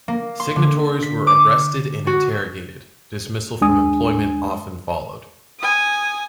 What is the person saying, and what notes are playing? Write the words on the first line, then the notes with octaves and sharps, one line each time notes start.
Signatories were arrested and interrogated; dismissal from employment often followed.
A#3
C6
D3
B6
D6
F#4
D#2 G#3 D4 G#5 D#6
G#5 D#6